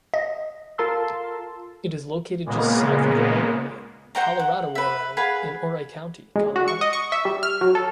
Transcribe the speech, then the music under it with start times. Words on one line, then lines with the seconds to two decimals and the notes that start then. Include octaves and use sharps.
It is located just south of Ouray, ColoradoOuray, in Ouray County, Colorado.
0.14 D#5
0.78 F4 A4 A#4 A5 C6 E6
2.46 A#2 C#3 G#3 A#3 B3
4.15 C5 F#5 G5 A#5
4.39 F#5
4.75 B4 E5
5.17 G#4 B4 F5 F#5
6.36 G#3
6.56 F#4
6.68 C#6
6.81 D#5
6.93 C#6
7.12 E5
7.25 G3
7.43 F6
7.61 F#3
7.75 A4